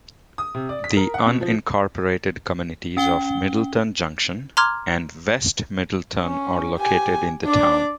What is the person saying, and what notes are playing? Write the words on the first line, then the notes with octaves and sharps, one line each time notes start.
The unincorporated communities of Middleton Junction and West Middleton are located in the town.
D#6
C3
D5
B6
A#4
F#5
B2
F3
C#4 G5 G7
A#5 C6 D6 F6 G#6
C#4
G4 G#5
D4 D5